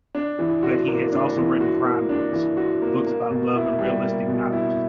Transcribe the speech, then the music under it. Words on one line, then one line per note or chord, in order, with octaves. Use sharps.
But he has also written crime-books, books about love and realistic novels.
D4
E3
F#4
A#3
D4
E3
F#4
A#3
D4
E3
F#4
A#3
A#3
B2
E4
G3
A#3
B2
E4